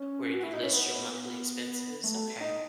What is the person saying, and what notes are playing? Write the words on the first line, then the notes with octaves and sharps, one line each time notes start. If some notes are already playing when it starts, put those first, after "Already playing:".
where you list your monthly expenses? Okay.
Already playing: C#4
F#4
E4
D#4
C#4
B3
A3
D#4